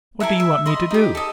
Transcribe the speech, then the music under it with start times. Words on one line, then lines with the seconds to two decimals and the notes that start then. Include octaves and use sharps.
"What do you want me to do?"
0.20 E4 A4 A#4 G#5
0.40 E5
0.66 D#5 B5 C6
0.91 D#4 G4
1.15 A4 D#5